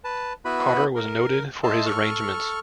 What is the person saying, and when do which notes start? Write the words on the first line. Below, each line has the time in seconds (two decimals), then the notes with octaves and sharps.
Carter was noted for his arrangements.
0.04 B4 A5
0.45 B3 E4 F#4 B4 B5
0.96 A#4
1.63 D#5 E5 A5 C6
1.86 A4 C#6 F6